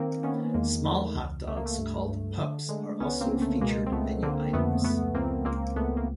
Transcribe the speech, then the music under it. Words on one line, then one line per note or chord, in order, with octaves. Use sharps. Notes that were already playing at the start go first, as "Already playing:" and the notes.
Small hot dogs called "pups" are also featured menu items.
Already playing: D#3 A#3 C4
D#3 B3 C#4
E2 G#3 A#3
E2 A3
C#2
C#2 A3
A#3
A3
G2
G2
D3 A3
D3 G#3
C#2 B3 C#4
A#3 C4
C#2
A3
B2 G#3 A#3
C4
C#2 A3 B3
D3 A#3 C4
F2 A3 B3
C#2 A3 B3
C#2 A#3 C4
C#2 A#3 C4
C#2 A3 B3
A#3